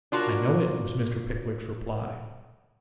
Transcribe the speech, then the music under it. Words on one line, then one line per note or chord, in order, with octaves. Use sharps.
'I know it,' was Mr. Pickwick's reply.
D4 F4 F#4 A#4